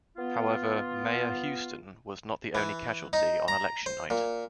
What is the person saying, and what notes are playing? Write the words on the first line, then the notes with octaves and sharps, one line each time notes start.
However, Mayor Houston was not the only casualty on election night.
B3 F4
E3
D#4
A#5
C5
A#2